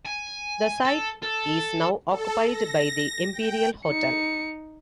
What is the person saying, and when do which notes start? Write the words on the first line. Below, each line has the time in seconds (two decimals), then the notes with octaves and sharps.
The site is now occupied by the Imperial Hotel.
0.05 G#5
0.85 A4
1.23 A4
2.10 A4
2.44 A#6
3.33 G5
3.86 D#4 C#7